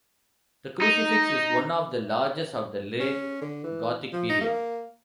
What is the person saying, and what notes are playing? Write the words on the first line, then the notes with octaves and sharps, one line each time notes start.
The crucifix is one of the largest of the late Gothic period.
D#4
C#4
D3
E3
F3
D#4
A#3